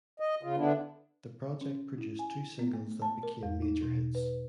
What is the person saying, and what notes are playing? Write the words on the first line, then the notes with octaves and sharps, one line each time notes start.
The project produced two singles that became major hits.
D#5
C#3 F4
D3 B3 D4 E4
C#4
E4
G#5
B3
A3
A5
A#4
E2
D#4
B2
B4